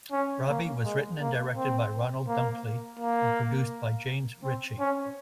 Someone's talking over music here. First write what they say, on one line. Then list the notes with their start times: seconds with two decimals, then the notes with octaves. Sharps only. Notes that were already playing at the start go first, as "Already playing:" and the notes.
"Robbie" was written and directed by Ronald Dunkley and produced by James Ritchie.
0.12 C#4
0.49 A#3
0.84 G#3
1.21 A#3
1.56 C4
2.28 A#3
2.99 A#3
4.43 C4
4.80 C#4